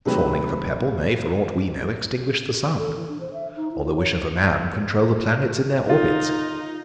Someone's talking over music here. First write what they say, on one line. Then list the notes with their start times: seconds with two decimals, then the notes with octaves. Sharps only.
The falling of a pebble may, for aught we know, extinguish the sun; or the wish of a man control the planets in their orbits.
0.05 C3 D#3 F#3 A3 G4 B4
2.79 A4
2.96 E3
3.09 D4
3.21 C5
3.34 E5
3.56 D#4
3.71 E4
3.84 F4
3.96 C#5
5.89 D#4 F4